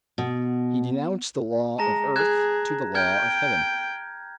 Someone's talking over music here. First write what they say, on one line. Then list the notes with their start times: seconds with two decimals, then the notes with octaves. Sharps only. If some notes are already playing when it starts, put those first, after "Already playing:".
He denounced the law of earth to the law of Heaven.
0.18 B2
1.78 G#3 A5 A#5 A#6
2.16 G#4 F#6 G#6 E7
2.95 G5 F6 G6 G#6